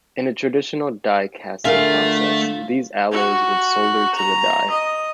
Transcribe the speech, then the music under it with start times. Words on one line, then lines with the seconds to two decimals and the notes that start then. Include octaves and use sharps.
In a traditional die casting process these alloys would solder to the die.
1.65 D3 A3 F4 G#4 A#4 E5
3.12 F#4
4.15 A#5
4.70 D#5